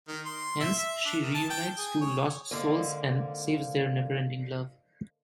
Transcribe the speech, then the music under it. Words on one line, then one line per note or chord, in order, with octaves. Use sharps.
Hence, she re-unites two lost souls and saves their never ending love.
D#3
C6
E5
E5
D4
D#3
A5
G5
G#4
C#5
G#2 D3 A#3